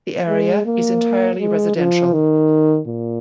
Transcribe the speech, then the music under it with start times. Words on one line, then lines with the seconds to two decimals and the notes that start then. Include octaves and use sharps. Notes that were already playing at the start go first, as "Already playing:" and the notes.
The area is entirely residential.
0.28 G#3
0.65 A#3
1.40 G#3
1.77 F3
2.13 D#3
2.87 A#2